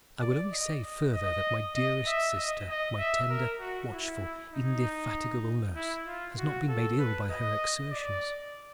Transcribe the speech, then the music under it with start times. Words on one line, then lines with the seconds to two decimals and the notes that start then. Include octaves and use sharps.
'I will only say further that my dearest sister, my tender, watchful, indefatigable nurse, has not been made ill by her exertions.
0.21 D5
0.52 D#5
0.83 D#5
1.13 D#5
1.75 D#5
2.06 E5
2.37 D#5
2.68 D#5
2.98 E5
3.30 A#4
3.60 F#4
3.91 E4
4.53 D#4
5.76 E4
6.07 F4
6.38 F#4
6.69 A4
6.99 B4
7.30 D#5
7.91 D5